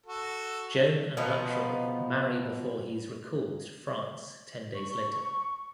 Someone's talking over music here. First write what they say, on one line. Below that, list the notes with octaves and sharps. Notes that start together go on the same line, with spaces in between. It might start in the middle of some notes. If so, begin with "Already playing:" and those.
Joan and Luttrell marry before he is recalled to France ten days later.
F#4 A4
B2 F3 B3 D#4
C#6